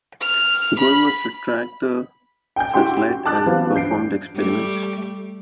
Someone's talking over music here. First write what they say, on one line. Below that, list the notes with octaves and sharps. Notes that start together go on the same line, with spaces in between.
The goal was to track the satellite as it performed experiments.
F6
B5
G5 G#5 G6
E4 F#4 G4 G5 C6
F#4
A5 D6 F#6 A6
E3 F#3 B3 C4 F4 G4
G2 G6 C7 D7
G3 A3